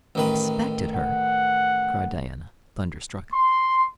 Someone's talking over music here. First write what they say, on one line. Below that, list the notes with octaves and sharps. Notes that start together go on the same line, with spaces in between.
"Expected her!" cried Diana, thunderstruck.
A1 D#3 B4
F#5
C6